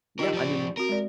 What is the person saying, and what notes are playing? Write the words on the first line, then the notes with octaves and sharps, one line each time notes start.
Yeah, I mean
D#4 F4 G4 A#4
F3 D5
C4 F#4 A#4
G#3 D5